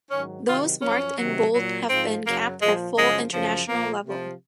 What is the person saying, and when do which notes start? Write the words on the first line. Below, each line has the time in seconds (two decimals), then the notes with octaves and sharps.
Those marked in bold have been capped at full International level.
0.11 G#2 D#3 F#3 C#4
0.47 C3 D#3 F#3 F4
0.82 F#2 F3 C#4
1.18 C3 D#3 F#3
1.53 A#2 F#3
1.89 G#2 F3 C4
2.25 F#2 C#3 F#3 A#3
2.61 A#2 F3 G#3
2.96 F#2 C#3 F3 G#3
3.32 F#2 C#3 F3
3.67 A#2 F3 A#3
4.04 C3 F3